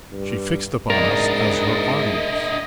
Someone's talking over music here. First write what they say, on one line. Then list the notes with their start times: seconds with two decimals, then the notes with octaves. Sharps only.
She fixed upon us as her audience.
0.12 G2
0.90 G#2 D4 E4 A#4 D#5